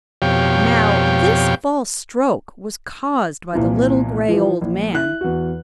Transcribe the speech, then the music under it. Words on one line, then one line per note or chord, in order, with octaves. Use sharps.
Now, this false stroke was caused by the little gray old man.
F2 B2 G4 C#5 F5 G5
C2 A#2 E3 F3
E3 F3
A#1
E4 F#6
E2 F#4